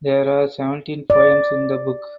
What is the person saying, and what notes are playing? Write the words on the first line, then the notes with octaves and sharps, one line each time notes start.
There are seventeen "poems" in the book.
D5